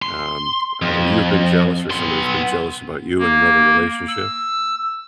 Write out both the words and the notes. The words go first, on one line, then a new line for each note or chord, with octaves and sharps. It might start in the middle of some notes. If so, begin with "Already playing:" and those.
um, either you have been jealous or somebody's been jealous about you in another relationship?
C6
F2
B3 C6
A#3
E6